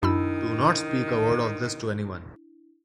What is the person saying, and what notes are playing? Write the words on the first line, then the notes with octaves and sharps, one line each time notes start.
Do not speak a word of this to any one.
F#2 D#3 D4 E4 B5 E6